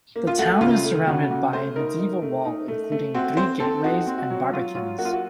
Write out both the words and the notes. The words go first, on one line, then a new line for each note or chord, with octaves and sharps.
The town is surrounded by a medieval wall including three gateways and barbicans.
A#3
F4
A3 F#4
C#3 F4
A3
C#3 F#4
C#3 F#4
A3 C5
D#4 A#4
D#4
A3
D#4
A3
A3
C4 F#4
C4 C5
C4 A4
D#4 F#4
C4
F#4
F#3
F#3 F4
F#3 F4
A#3 F#4
F4
F#4